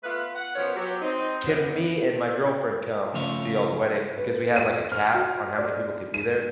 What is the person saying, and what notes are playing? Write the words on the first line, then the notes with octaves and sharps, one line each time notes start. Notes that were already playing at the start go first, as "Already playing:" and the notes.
can me and my girlfriend come to y'all's wedding?" because we had, like, a cap on how many people could be there,
A3 B3 F4 B4
F#5
B2 F3 B3 C#4 A#4 C#5
F#3 G4
C4 D#4
F#2 B3
C#3 F3 A3 C#5 E5 F5
B4
D#7
F6
F#4
D5
D#7